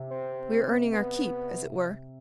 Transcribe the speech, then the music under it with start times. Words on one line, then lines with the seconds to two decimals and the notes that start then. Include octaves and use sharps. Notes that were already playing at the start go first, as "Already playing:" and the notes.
"We are earning our keep as it were."
Already playing: C3
0.11 C4
0.93 B3